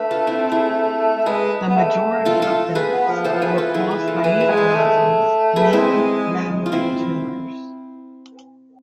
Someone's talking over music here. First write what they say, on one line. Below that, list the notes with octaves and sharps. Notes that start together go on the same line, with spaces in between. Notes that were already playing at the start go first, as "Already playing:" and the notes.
The majority of deaths were caused by neoplasms, mainly mammary tumors.
Already playing: A3 D4 B4
F4 A4
C4 E4
E4 G#4
A3
G#3 G#4 B4
B3
A3
F4 A4
F4 A4
G#4 B4
B3
F3
E3 A4 C5
F3
E3 G#4 B4
F4 A4
E4 G#4
E4 G#4
F4 A4
E3 G#4 B4
G#4 B4
G#3
A4 C5
A3
G#4 B4
G#3 C4 E4
F4
C4 E4